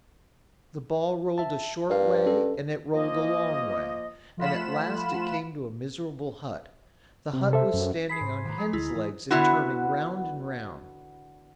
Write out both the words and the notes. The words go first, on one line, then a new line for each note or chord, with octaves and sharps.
The ball rolled a short way, and it rolled a long way, and at last it came to a miserable hut; the hut was standing on hen's legs and turning round and round.
E5 A5
G2 A#4 F5
C#4 A4
F3 A#3 D#5
F3 A3 F4 F#5 B5 E7
C3
A4 C5 E5
F#2
G#4 B5 B6 C7
G#2 C5
A2 D3 D#3 G4 B4 A#5
F3 G#3 D#4 G#4
D2 D3 E4
E3
D3 B3 E4 F#4